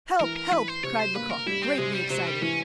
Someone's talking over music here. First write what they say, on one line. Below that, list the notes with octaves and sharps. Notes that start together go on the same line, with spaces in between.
"Help! help!" cried Lecoq, greatly excited.
E3 A#4
A#4
E3 B4
C5
C3 C#5
C5
A#3 B4
A#4
G3 E4
C4
C3 G#3
G3
C3 F#3
G3
E3 C#4